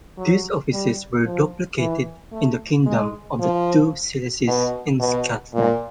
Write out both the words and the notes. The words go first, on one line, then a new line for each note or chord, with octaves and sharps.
These offices were duplicated in the Kingdom of the Two Sicilies and Scotland.
F#3
G3
F3
E3
A3
G#3
F3
B2
B2
A#2